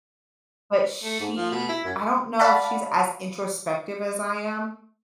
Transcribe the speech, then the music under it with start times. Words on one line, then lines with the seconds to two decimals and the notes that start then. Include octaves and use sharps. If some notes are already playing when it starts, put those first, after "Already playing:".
but she I don't know if she's as introspective as I am,
1.03 A3
1.20 G#2
1.36 F3
1.52 B2
1.69 E4
1.84 F#2
2.39 D5 F5 F#5 A5 B5